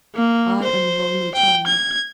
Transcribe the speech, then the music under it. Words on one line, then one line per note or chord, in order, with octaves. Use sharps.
I am her only child.
A#3
C5
G5
G#6